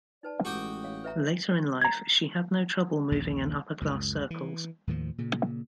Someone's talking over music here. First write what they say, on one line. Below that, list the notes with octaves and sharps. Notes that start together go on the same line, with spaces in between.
Later in life, she had no trouble moving in upper class circles.
D#4 B4 D5 A5
A1 G#3 F#4 G4 A4 G5 D6 D#6
C#5 F5
B4 E5 A#5
A#5 G#6
A#1 D#2 C#3
C#2 F#2
E3
D#2 A2 D#3 F3
A#2 C#3